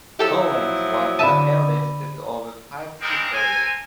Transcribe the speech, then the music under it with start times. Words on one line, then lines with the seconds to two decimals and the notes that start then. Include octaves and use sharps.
Gollancz was the eldest of five sisters.
0.19 F3 F#3 E4 G4 A4 E6
1.19 D3 E5 A5 B5 D#7
3.01 G3 G#3 A#3 C4 A#4 G5
3.32 A4 A#4 C5 G#5